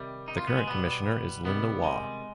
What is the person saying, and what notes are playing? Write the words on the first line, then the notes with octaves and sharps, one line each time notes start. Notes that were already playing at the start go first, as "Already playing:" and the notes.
The current Commissioner is Linda Waugh.
Already playing: C3 D#3 G3
D#4
F4
B3
G#3
B2 G3 B3
C3 D#3 G3 B3
G#3